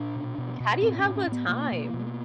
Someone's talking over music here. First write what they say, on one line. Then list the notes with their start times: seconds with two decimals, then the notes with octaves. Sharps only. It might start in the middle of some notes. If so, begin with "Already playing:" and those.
Like, how do you have the time?
Already playing: A#2 D4
0.16 B2
0.38 B2
0.60 B2
0.82 A2 C4
0.99 C#4
1.05 A2
1.16 C#4
1.27 A2
1.32 B3
1.48 B2 A#3
1.72 B2
1.94 B2